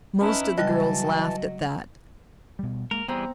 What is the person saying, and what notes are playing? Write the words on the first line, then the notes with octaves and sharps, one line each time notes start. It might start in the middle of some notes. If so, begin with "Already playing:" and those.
Most of the girls laughed at that.
C#4 D#4 E4 B4 A5 A#5 F6
C#3 E3 F#3 G3 D#5 A5 F#6
B2 G3
G#3 A#3 A#4
E3 G3 B3 C4 G#4 A#5